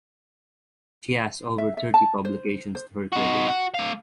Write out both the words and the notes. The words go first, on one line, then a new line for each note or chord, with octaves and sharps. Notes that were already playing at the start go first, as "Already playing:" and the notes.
She has over thirty publications to her credit.
E5
E5
A5
C5
C5
D#4 F#4
F#4
A3 F5